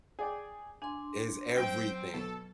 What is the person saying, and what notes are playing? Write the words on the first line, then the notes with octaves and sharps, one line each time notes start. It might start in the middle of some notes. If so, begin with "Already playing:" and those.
It's everything.
G#4 D5 G5
D4 G#5 C6
F#3 C4 G5
B2 A4